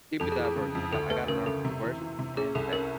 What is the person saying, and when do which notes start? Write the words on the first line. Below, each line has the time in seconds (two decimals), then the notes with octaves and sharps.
Keep it diverse, I got I gotta learn from the worst and the best,
0.20 F2 A4
0.32 G#4
0.39 E3
0.45 G#4
0.56 C#3
0.75 F2
0.93 D2 A4
1.10 A3 B4
1.28 C#3 A#4
1.46 C#3 A4
1.65 C3
1.83 E3
2.01 E3
2.19 C3
2.37 C#4 G#4
2.55 C2 A4
2.73 C#4 A#4